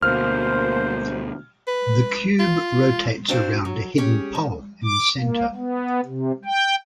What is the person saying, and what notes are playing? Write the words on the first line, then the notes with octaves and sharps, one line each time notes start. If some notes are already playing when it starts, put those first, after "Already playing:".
The Cube rotates around a hidden pole in the center.
D2 B2 A#3 C5 F6
B4
F4
C4 D4 F#4 C5 F5
F#3
C#4 G4 G#4
D#3
D6
A#3
B3
C3
G5